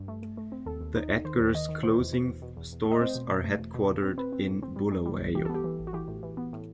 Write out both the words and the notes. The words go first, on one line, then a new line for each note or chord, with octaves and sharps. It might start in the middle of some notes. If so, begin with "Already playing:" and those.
The Edgars clothing stores are headquartered in Bulawayo.
Already playing: G2
A3
A3
A3
C4
D#2 A4
D#2
D#4
D#4
D#3 C5
D#2
D#3 D#5
D#3
B2 C5
E2
B2
E2
B2
E2
E2
A3
D#5
C4 C5
B2
B2
A3
E2
B2
B2
C4
C4 B4
C4
A2
C4
G3
G3
G3
B1
E3 G4
B3 A4
G4
E3
A1
F#4
E3 G4
A2
E3
B3
A2